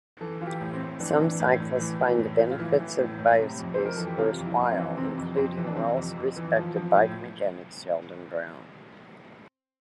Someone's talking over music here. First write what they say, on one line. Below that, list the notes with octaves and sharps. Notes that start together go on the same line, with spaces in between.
Some cyclists find the benefits of Biopace worthwhile, including well-respected bike mechanic Sheldon Brown.
E3 A4
E3 F4
G4
A2
C4
A2
E3 D4
C4
E3 D4
A2
A2
E3
E3
A2
A2
F4
E3 E4
E3
A2
A2
C3
F2
F2 C5
A#4
E3 A4
G4
C3 F4
F2
E4
F2 A#3
C4
E3
C3 C4
F2
F2 C4
E3
D4
C3 C4
F2
F2
E3
F3
F3
A2